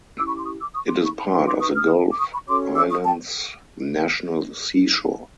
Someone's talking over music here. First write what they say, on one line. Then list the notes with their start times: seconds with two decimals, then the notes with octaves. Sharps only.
It is part of the Gulf Islands National Seashore.
0.16 C#4 E4 G4 D6 E6
0.27 B5 C#6
0.36 C6 D6
0.45 C#6 D#6
0.60 D6 E6
0.74 C#6 D#6
0.88 C6 D6
1.03 B5 C#6
1.17 A5 B5
1.32 D#4 F#4 B4 A#5 C6
1.46 C6 D6
1.61 C#6 D#6
1.75 D#6 F6
2.11 D6
2.19 C#6 D#6
2.33 B5 C#6
2.47 C#4 F#4 A4 C#5 C6 D6
2.76 D6 E6
2.90 C#6 D#6
3.05 G5 A5